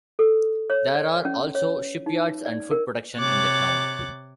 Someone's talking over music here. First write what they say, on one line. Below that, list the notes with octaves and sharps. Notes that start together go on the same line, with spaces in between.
There are also shipyards and food production in the town.
A4
C#5
D5
C#4
C#5
D#4
D5
A#4
C3 C#5 D6 F#6 A6